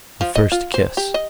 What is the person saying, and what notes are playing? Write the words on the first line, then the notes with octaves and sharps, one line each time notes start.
The First Kiss.
F3
D#5
F4
C5
G4
D#5